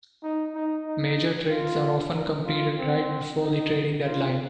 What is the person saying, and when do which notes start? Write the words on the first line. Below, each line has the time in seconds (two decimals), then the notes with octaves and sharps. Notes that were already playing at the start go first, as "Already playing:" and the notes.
Major trades are often completed right before the trading deadline.
0.23 D#4
0.55 D#4
0.87 D#4
1.50 F4
2.14 A#4
2.45 F4
2.77 C4
3.41 D#4
4.05 F4